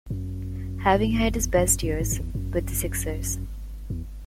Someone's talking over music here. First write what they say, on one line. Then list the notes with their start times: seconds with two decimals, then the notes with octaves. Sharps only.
Having had his best years with the Sixers.
0.10 F#2
0.95 A2
1.07 G#2
1.20 F#2
1.31 E2
1.57 F#2
1.83 F#2
2.00 G#2
2.12 F#2
2.18 E2
2.35 F#2
3.90 E2